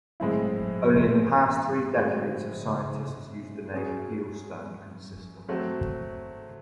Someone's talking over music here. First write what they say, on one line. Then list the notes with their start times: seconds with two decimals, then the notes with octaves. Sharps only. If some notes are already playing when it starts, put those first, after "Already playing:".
Only in the past three decades have scientists used the name "Heel Stone" consistently.
0.20 A2 G#3 C4 E4
1.96 A2 G#3 C4 F#4
3.73 F#3 C#4 G#4
5.48 F#3 A3 C4